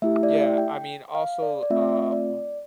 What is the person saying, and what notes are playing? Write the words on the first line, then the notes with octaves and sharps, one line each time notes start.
Yeah, I mean, also, um
A3 E4 G4 E5
D5
E5
G5
F5
D5
D5
A3 C4 F4 E5
D5